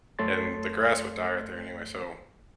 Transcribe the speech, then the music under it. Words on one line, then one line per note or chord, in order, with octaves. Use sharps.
and the grass would die out there anyway so
F#2 A3 A4 C#5 C6 A6